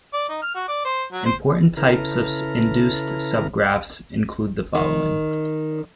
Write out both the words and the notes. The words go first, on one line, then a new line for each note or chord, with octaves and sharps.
Important types of induced subgraphs include the following.
D5
D#4
F6
F#4
D5
C5
F#3
C5
C#3 E4 A4 B4 A#5 F6
D#3